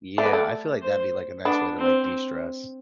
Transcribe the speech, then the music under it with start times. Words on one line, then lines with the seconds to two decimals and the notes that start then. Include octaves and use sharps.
Yeah, I feel like that'd be, like, a nice way to, like, de-stress.
0.18 A3 D5
0.26 B3
0.33 A3
0.82 C5
1.45 B3 D4
1.78 C4